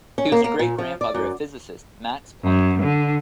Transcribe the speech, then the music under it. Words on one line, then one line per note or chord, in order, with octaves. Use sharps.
He was the great-grandfather of physicist Max Planck.
C#4
A#3
A#3
A#2
F3
D5
F#2
F#2
D3